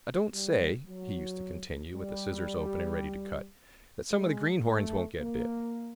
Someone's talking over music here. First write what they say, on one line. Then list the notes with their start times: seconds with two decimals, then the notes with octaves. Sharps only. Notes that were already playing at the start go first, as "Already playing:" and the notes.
I don't say," he used to continue, with the scissors open and ready to cut, "that some of the greenhorns won't get bit.
0.33 G3
0.87 F#3
1.95 G3
4.12 G#3
4.65 A3
5.20 A#3